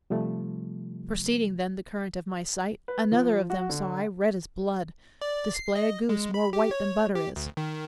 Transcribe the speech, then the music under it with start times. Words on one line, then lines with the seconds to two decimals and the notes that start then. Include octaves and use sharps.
Proceeding then the current of my sight, Another of them saw I, red as blood, Display a goose more white than butter is.
0.10 C3 F3 G3 A3
2.88 B4
3.12 F3
3.50 F#4
3.69 D3
5.22 D5
5.54 C7
5.76 D#5
6.09 G#3
6.34 B5
6.53 G4
6.71 C#5
7.15 G4
7.36 D2
7.57 D#3